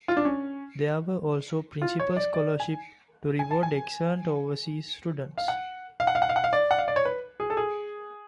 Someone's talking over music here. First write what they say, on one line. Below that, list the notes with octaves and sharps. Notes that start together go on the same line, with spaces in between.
There were also "Principal Scholarship" to reward excellent overseas students.
F4
D4
C#4
F4
C#5
D5
D5
G#5
G#5
A5
G#5
F5
F#5
F5
F#5
F5
F#5
F5
F#5
F5
D5
F#5
F5
D5
C#5
B4
G#4
A4
G#4